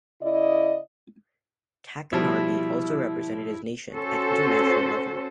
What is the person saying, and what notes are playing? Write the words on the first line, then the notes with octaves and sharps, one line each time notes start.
Tacchinardi also represented his nation at international level.
C#3 E4 D5 D#5
B2 F3 G3 E4
C#4 F#4 A4 C5